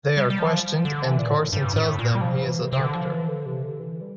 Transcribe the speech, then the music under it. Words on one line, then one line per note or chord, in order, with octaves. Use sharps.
They are questioned and Carson tells them he is a doctor.
G3
G3
F3
D3
E3
A#2
A2
G2
A2
A#2
G3
F3
E3
C3
C3
D3
F3
E3
D3
C3
D3
E3
G3